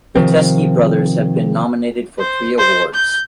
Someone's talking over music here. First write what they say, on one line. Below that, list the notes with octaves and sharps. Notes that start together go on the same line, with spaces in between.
The Teskey Brothers have been nominated for three awards.
C3 D#3 F3 C4
C5
C5
G6